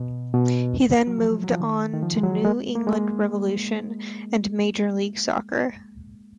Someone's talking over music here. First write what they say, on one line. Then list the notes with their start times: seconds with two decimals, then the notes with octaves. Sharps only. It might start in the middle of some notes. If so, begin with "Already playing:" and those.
He then moved on to New England Revolution and Major League Soccer.
Already playing: B2
0.34 B2
1.07 F#3
1.18 F3
1.44 F#3
1.52 F3
1.60 D#3
1.94 D#3
2.02 F3
2.17 G#3
2.23 F#3
2.45 G#3
2.75 A#3
2.87 G#3